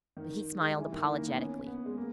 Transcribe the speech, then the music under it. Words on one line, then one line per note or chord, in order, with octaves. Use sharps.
But he smiled apologetically.
D#3
G#3
G3
E3
D#3
A#3
B3
C#4
B3
G#3
A#3